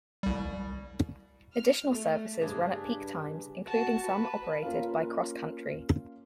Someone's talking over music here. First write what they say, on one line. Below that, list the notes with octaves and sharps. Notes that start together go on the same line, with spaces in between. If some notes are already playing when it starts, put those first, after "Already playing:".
Additional services run at peak times, including some operated by CrossCountry.
C2 G3
F6
A3
G2 C#3 D4 G#4 B4
F#4 A5
B4
A#3 C#4 F4 A#4 F5